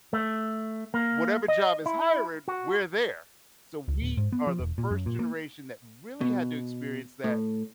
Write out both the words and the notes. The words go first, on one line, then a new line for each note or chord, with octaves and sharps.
whatever job is hiring, we're there. So we are the first generation that really had to experience that,
A3
A#3
D#5
E4
F#4
C#2
D1
G#2
B3
F3
E1
A#2
F#2
A#2
A#3
B2
A2